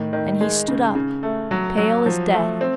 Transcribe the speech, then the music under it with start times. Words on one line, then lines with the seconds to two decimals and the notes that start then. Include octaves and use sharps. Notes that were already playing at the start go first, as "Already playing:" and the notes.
And he stood up, pale as death.
Already playing: A2 D#3
0.13 D#3
0.41 G#3
0.68 C#3
0.95 C#3
1.23 A3
1.51 F#3
1.78 F#3
2.06 F3
2.33 A3
2.61 C4